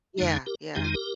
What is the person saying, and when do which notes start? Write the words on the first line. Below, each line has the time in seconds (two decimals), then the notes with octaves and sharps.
Yeah, yeah.
0.18 F2 D3 G#3 D#4
0.46 G4 A#4
0.75 F2 D#3 G#3 D#4 G4
0.84 F4
0.94 G4 A#4